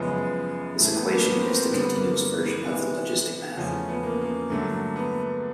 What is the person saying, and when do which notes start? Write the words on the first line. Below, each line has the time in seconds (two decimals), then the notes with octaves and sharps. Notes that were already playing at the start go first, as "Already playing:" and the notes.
This equation is the continuous version of the logistic map.
Already playing: F#2 C#3 F3 G#3 B3
0.79 A2 E3 A3
0.95 B3
1.10 A#3
1.25 B3
1.41 C4
1.56 C4
1.72 G2 D3 G3 B3
1.95 A#3
2.64 C3 E3 G#3 B3
3.57 E2 C#3 F3 A3 C#4
3.88 B3
4.03 A#3
4.21 A#3
4.50 G2 D3 F#3 A3
4.96 B3